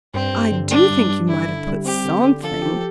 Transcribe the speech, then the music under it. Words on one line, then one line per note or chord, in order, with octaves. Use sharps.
"I do think you might have put something."
G2 C4
G2
D3
G3 D4
G2
G2
D3 E4
D3
G3
C4 G4
D3
D3
F3 A4
G4